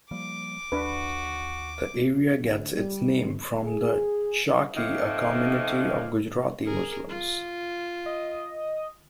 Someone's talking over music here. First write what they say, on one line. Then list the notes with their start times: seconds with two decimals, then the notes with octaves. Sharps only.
The area gets its name from the Chakee, a community of Gujarati Muslims.
0.11 F3 G3 A#3 D6
0.72 D#2 D4 F#4 B4
2.43 D2
2.75 G3
3.65 G#4
4.75 F3 A3 A#3 C4 D#4
6.64 G#4 A#4
7.09 F4
8.06 D#5